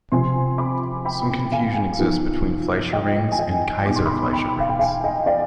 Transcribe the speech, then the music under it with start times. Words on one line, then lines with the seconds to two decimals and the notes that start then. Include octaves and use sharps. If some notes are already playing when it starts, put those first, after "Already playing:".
Some confusion exists between Fleischer rings and Kayser-Fleischer rings.
0.12 C3 F3 C4 G#5 C6
0.58 B5 D6
1.05 G5 B5
1.52 F5 G#5
1.99 F3 B3 D#4
2.93 D#5 G5
3.31 G#5
3.39 D#5 G5
3.86 B2 B3 D#4 D6
3.96 C6
4.06 B5 D6
4.33 G5 B5
4.60 F5
4.69 G5
4.79 F5 G#5
5.04 D#5 G5
5.26 D5 F5